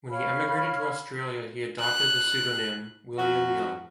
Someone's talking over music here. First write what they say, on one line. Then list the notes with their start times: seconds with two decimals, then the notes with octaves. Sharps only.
When he emigrated to Australia he adopted the pseudonym William Young.
0.10 C#5 F5 B5 F6
1.80 F#6
3.17 F2 F#4